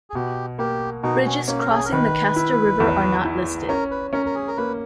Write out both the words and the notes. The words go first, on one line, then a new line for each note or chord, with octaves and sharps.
Bridges crossing the Castor River are not listed.
G#4
B2 G4
A#3 G4
B2 D#4
C#4
A#3 C#4
A#4
G#4
A#4
D#3 B4
E4
E2
E4
C#4 A#4
B4
C#4 A#4
A#4
G#4
A#4
A#3 B4